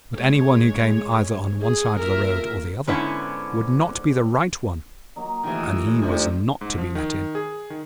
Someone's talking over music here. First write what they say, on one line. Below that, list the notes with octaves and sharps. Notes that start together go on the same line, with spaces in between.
But any one who came either on one side of the road or the other would not be the right one, and he was not to be let in.
G#3 C#5
G#4
A#3 F4 A#4 E5
G#2 D3 B3 C#4 E4
F#3 A#3 D#4
A2 C3 D#3 E3 F4
A2
G2 C3 F3
G#2
F3
D#3
G#4
D#3